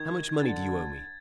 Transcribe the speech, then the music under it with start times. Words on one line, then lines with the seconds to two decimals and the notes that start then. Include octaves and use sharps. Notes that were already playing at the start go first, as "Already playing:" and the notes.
"How much money do you owe me?"
Already playing: D#3 G#6
0.29 G#6
0.40 D3 A6